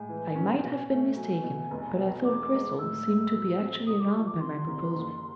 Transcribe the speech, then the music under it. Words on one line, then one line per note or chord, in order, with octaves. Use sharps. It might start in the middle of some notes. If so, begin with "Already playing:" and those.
I might have been mistaken, but I thought Cristel seemed to be actually alarmed by my proposal.
Already playing: A2 G#3 G#5
E3
C#4
B2
A3
F#3 G#5
B2
F1
B2
E2 D6
G#3
A2 E6
A3
F#3
C4
C2 D#6
D6
F3 C#6
D6
C3 C6
C2
F#1